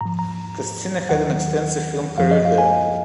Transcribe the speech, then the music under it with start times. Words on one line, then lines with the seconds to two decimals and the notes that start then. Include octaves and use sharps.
Koscina had an extensive film career there.
0.01 G#2 F3 A#5
0.19 A#5
1.09 D#2 D#3 F#3 F#5
2.18 F#2 F3 F5
2.31 D#5
2.45 F5
2.58 G#5